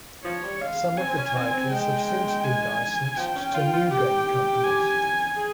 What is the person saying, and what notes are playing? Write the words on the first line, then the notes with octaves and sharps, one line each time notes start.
Some of the titles have since been licensed to new game companies.
F3 C#5
G3
G#3 F5
C4 G#5
C4
C#4
C4
C4
G#3 G5
G#5
F3 G5
C#4
F4
F4
G4 G5
G#5
G#4